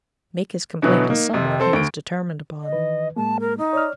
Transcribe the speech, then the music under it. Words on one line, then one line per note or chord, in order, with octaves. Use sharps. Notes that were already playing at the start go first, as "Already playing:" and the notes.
Make his complaint to some one, he was determined upon.
B2 D3 E3 F#3 B3
A#3 D#4
F2 C3
C4 A4 C5
D2 D7
D#5
D#3 E3 B4
A2 G#3 A#3 A5
A#4
D#4
C#5 D5 F6